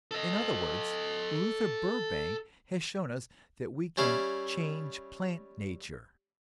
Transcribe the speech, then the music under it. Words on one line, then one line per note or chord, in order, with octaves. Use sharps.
In other words, Luther Burbank has shown us that we can "change plant nature."
A4 D#5
G3 C#4 E4 F5